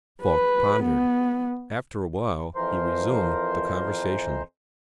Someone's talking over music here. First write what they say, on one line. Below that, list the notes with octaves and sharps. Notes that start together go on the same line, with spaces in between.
Falk pondered; after a while he resumed the conversation.
B4
B3
F2 E3 F3 A#4 C5 C6